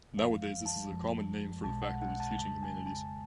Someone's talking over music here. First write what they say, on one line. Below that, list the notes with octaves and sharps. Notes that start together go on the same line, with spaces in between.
Nowadays this is a common name for the faculties teaching humanities.
F#2 F3 G#3 F5
F5
A5
F#2 F3 G#3
B1 B2 G#3 A5
F#5
F#5
A5
F2 C#3 G#3 A5
G#5
A5